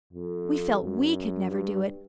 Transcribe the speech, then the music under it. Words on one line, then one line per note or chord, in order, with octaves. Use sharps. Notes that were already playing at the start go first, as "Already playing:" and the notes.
We felt WE could never do it.
F2
F#2
G2